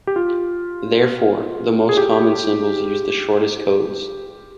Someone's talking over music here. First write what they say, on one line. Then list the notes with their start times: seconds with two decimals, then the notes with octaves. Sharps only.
Therefore, the most common symbols use the shortest codes.
0.07 G4
0.16 F4
1.89 G#4
1.97 G4